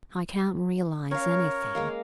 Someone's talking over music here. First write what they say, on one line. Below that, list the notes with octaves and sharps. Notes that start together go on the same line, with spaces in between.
I can't realise anything.
C#4 A#4 C#5 F5
G#3 A#3 F5